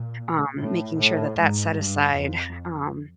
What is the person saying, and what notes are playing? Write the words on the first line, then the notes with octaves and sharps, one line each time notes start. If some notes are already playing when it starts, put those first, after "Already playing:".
um, making sure that that's set aside. Um,
Already playing: A#2
A2
A2
G#2
G2
F2